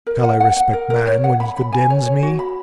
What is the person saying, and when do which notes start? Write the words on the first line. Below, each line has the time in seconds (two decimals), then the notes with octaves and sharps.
Shall I respect man when he condemns me?
0.07 A#4
0.24 F#5
0.40 F#5
0.57 F#5
0.73 A#4
0.90 A#4
1.07 C#5
1.24 F#5
1.40 B5
1.57 B5
1.72 G#5
1.90 C#5
2.06 C#5
2.23 F#4
2.39 B5